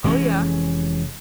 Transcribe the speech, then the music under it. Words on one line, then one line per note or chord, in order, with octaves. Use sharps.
Oh, yeah.
F1 E3 G#3 C#4